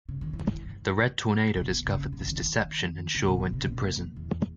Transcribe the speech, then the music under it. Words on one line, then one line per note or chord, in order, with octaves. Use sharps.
The Red Tornado discovered this deception and Shaw went to prison.
C#3
D#3
E3
G#2
C#3
B2
C#3
D#3
C#3
D#3
C#3
A#2
B2
D#3
C#3
A#2
E2